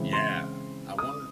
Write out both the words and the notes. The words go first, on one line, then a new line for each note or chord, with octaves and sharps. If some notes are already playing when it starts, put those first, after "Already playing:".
Yeah! I wanna
Already playing: C#3 E3 G#3 C4 E4
C6
D#6